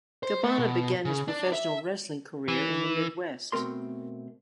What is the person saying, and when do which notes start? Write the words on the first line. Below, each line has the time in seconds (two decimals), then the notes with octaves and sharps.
Cabana began his professional wrestling career in the Midwest.
0.23 C5
0.44 A3
0.58 B2
1.05 C#3
1.28 D4
1.53 E5
2.48 E3
3.52 B2 A3 C4 A#4 C6